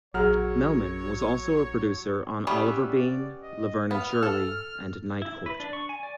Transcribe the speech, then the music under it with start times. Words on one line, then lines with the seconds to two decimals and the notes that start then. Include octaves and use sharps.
Melman was also a producer on "Oliver Beene", "Laverne and Shirley", and "Night Court".
0.14 A#1 F#3 G#4 C#5 F#5 A#5 F6
2.47 G3 B3 C#4 E5
2.90 D5
3.43 D#5
3.91 B3 F6
4.23 A4
5.22 E4
5.46 B4
5.60 D4
5.73 C#6
5.89 G#5
6.03 D5